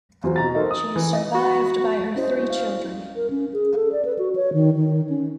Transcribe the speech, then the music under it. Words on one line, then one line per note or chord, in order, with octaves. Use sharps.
She is survived by her three children.
E2 F#3 F4 C5
B2 A#5 A6
D#4 A4 A#4 C5
D#6
E3
D#5
F#4
C#4 E4 F#4 C5 D#5
F5
A#4
C#4
G#4
A4
D5
B4
F#4
C#5
D#3
D#3
C#4